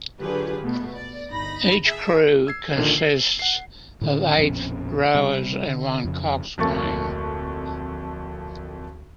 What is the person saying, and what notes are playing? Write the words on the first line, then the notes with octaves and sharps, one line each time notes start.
Each crew consists of eight rowers and one coxswain.
D3 F#3 F4 G4 G#4 B4
B2 A3 B3
D5
G1 D#4 B5 A#6
G#4 E5 A5
E6 G#6 C7
A#1 A#2 D3 D#3
C7
F#5 C7
A2 D3 C#4
A#1 F2 B2 C#4
C3 G3
D3
F2 C#3
D1 F2 A3 A#3 C#6 A6